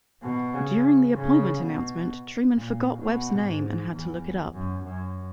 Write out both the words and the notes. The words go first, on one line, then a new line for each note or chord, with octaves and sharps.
During the appointment announcement, Truman forgot Webb's name and had to look it up.
B2
C#3
C#3
B2
A#2
B2
G#2
E2
F#2
F#2